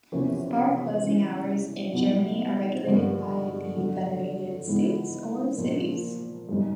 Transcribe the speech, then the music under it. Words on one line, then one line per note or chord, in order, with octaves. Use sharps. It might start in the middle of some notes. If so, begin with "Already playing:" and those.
Bar closing hours in Germany are regulated by the federated states or cities.
E2 C3 F3 A#3 C#4
E3 G#3 C#4
B2 F#3 B3 D#4 G4
G2 D3 F3 G#3
F2 D3 F#3
G#2 E3 G#3 B3 D#4
A#2 F3 A#3
F#2 D#3 G3